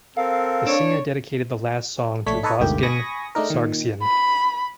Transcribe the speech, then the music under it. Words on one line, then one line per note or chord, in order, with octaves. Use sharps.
The singer dedicated the last song to Vazgen Sargsyan.
C4 A4 A#4 F5
D4 C#5
A#1 A3 D4 C#5 B6
D#4 A4 B4 C#5 D#5
G1 D2 G#2 A3 A#3 G4
G#5 B5 C#6 D#6 A#6
G#3 A3 D4 D#4 A#4
A#2 D#3
B5